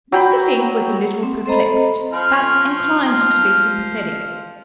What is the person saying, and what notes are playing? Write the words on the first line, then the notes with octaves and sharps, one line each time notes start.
Mr. Fink was a little perplexed but inclined to be sympathetic.
F#3 G5 B5
C4
C4 A4 C5 D#5 A#5 B5
F3 F5 F6